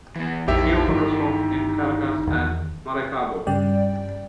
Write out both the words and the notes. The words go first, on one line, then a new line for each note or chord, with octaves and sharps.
He opened restaurants in Caracas and Maracaibo.
E3 B3
A#1 F2 A#3 D#4 E4 G4 E5
G1 D#3
E2 D#3
G2 C#3 G3 D5 G5